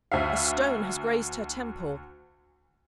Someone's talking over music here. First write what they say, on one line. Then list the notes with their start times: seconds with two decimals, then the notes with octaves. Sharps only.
A stone has grazed her temple.
0.12 D2 E5 F5